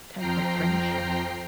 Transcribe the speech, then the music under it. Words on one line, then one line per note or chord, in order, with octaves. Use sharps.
type of friendship.
F2 F3 G5 A#5 C7